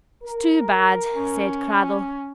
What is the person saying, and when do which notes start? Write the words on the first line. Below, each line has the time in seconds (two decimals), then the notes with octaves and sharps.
"It's too bad," said Cradell.
0.24 A#4
1.14 C#4